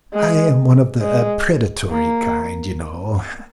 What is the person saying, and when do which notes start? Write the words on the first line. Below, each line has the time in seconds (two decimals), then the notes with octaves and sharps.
I am one of the predatory kind, you know.
0.13 G#3
1.02 G#3
1.90 A#3